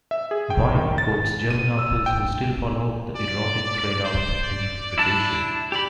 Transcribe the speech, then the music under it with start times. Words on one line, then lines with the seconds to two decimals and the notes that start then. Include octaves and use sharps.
Vine quotes German authors who still follow the erotic thread of interpretation.
0.11 E5
0.31 G#4
0.50 G5
0.75 D#3
0.98 A6
1.50 D#7
1.79 E6
2.06 G5
3.15 D5
4.04 C5
4.43 D5
4.98 D4 E4 A5
5.72 G4 D5 B5